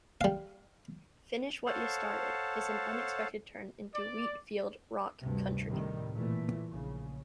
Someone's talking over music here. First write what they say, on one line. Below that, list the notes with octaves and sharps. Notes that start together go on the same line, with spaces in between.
"Finish What Ya Started" is an unexpected turn into wheat-field-rock country.
G3 F5
A4 C5 C#5 F5 F#5 A5
D5
D2 G2 C3
A2 C3 D#3 G3
A#2 E3 A3
A#1 C#3